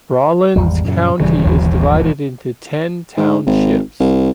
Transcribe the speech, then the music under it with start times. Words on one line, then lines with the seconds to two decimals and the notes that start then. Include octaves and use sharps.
Rawlins County is divided into ten townships.
0.56 G#1 E2 G3
0.84 F#2 A#2 C#3
1.20 D#1 C#3 E3 G3
1.44 G1 D#2 F#3
3.17 G#2
3.46 G#1
4.00 C2